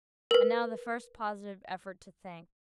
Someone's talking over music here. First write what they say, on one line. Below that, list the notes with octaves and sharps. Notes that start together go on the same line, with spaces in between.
And now the first positive effort to think.
A#4 B4